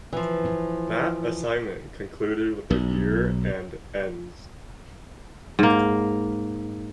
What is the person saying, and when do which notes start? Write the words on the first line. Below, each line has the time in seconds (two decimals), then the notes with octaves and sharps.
That assignment concluded with the year and Ens.
0.13 E3 F3
2.70 B1
5.59 G#2 A#3